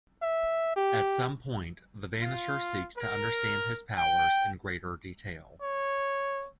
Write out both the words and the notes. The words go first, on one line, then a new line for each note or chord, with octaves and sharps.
At some point, the Vanisher seeks to understand his powers in greater detail.
E5
G4
F4
A#4
G5
C#5